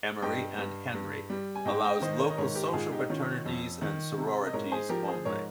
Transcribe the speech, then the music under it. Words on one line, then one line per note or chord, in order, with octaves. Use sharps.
Emory and Henry allows local social fraternities and sororities only.
G2 D#5 G5
G2
G2
G3
G#5
G#2 D#5 G5
D#5 G5
D#3 C5 D#5
A#4 C#5
D#5
G#2 A#4 C#5
G4 A#4
G#2 F4 G#4
D#4 G4
D#3 C#4 F4
F2
D#3
C3
D#5
G#2 A#4 C#5
G#4 C5
F3 G4 A#4
G#4 C5
G#2 A#4 C#5